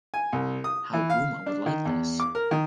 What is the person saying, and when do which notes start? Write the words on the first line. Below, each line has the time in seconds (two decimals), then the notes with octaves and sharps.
How Uma would like this!
0.14 G#5
0.32 C2
0.64 D#6
0.93 E3
1.10 F5
1.46 D4
1.66 D#3
1.85 E2
2.20 D6
2.35 A#4
2.51 D#3